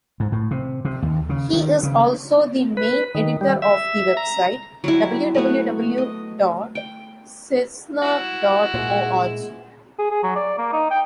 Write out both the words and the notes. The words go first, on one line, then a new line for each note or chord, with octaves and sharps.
He is also the main editor of the website www dot cesnur dot org.
G#2
A2
C3
C3
D#2
C#3
D#3
C#3
B4
D#3
G3
E5
A#5
F#3 G3 E4
A3 B3 F#4
D#5
G5
E4 F#4
A#2 G#3 F#5 C6
G#4
G#4
F#3
D5
A#3
D#4
G5